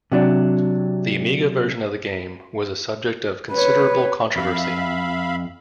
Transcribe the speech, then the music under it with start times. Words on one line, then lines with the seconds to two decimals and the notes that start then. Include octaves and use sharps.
The Amiga version of the game was a subject of considerable controversy.
0.12 C3 F#3 D4
3.52 B4 C#5
4.36 F2 E5 F5 B5